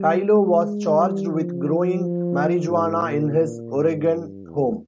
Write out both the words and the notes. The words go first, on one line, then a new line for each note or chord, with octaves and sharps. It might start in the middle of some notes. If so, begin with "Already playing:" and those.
Kyllo was charged with growing marijuana in his Oregon home.
Already playing: G3
G#3
G3
F3
G#2
A#2
A#2
G#2
G2
E2